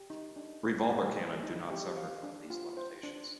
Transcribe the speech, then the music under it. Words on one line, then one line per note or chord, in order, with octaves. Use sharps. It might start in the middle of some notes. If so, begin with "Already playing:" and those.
Revolver cannon do not suffer from these limitations.
Already playing: G4
D#4
D4
A#3
G3
G3
D#4
G4
F5
D4
F4
C5
D4